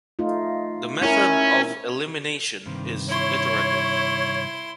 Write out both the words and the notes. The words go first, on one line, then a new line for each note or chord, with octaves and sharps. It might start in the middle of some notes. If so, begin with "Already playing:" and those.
The method of elimination is iterative.
A3 D#4 F4
C#4 E4 A#4
G2 C3 D#3
E4 C#5 C6